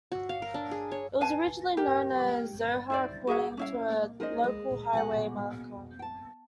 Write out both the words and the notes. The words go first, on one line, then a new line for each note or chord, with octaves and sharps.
It was originally known as "Zohar" according to a local highway marker.
F#4
F5
A#4
D4
G#4
C#5
B4 F5 G#5 A5
G4 A#4
E4 C5 D5
F#4 G#4 E5 F#5
C#4 E4 F5
C#4 D#4 G#4 A#4 C5 D#5
G#3
B2 G#3 F#5 G#5
G5 A5